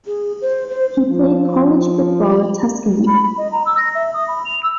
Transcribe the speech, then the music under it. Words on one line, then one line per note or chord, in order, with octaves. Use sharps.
He played college football at Tuskegee.
G#4
C5
C5
F3
B5
B5
D#5
A#5
E6
A#6
E5
D#6
B5
F7
E6